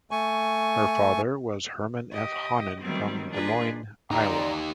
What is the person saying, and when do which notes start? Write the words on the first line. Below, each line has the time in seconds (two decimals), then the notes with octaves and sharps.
Her father was Herman F. Hahnen from Des Moines, Iowa.
0.11 A3 G#5 C#6
2.12 G4 D#5
2.81 D#3 F#3 G3 A3 B3 C4
3.31 A#3 D4 D#4 F4 G#4 B4
4.11 D#4 G4 D5 A#5 C6